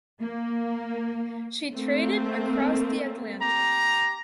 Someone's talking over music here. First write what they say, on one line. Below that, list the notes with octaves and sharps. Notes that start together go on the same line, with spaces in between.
She traded across the Atlantic.
A#3
A3 A#3 C4
G4 A#5